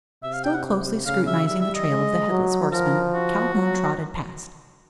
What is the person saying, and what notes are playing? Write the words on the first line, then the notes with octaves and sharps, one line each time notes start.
Still closely scrutinising the trail of the Headless Horseman, Calhoun trotted past.
C3 E5
F5
G5
F#5
C#3 F5
E5
G3 E5
E5
D#5
G#3
F#3
F3 A#4
F#4
F#3